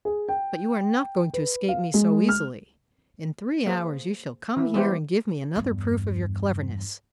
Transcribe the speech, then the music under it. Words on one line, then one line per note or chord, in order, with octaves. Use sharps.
But you are not going to escape me so easily. In three hours you shall come here and give me another proof of your cleverness.
G#4
G5
B4
F5
G#3
F6
A#3 G#4 C5
E3 E4
G3 G#3 B3 E4 G4 C5
E2 G2